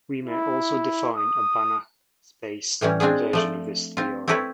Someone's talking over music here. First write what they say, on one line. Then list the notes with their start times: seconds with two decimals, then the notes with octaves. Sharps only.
We may also define a Banach space version of this theorem.
0.23 E4
1.17 D#6
2.81 A2 E3 G3 C#4
3.00 G#3 C4 D4 F4 G#4
3.33 F3 A3 D5
3.97 C4 F4
4.28 C4 E4 G4 A4 B4 C#5